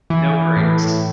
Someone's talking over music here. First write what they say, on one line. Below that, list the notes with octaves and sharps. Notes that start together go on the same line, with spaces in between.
No breaks.
E3
A2